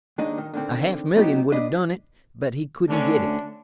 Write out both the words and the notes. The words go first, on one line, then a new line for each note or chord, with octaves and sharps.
A half million would have done it, but he couldn't get it.
D#2 G#3 D4 D#4
D#3
D3 D#3 C4
F#3 B3 D#4 F#4 G4
D4 B4 D#5
D2 D3 C#4 D4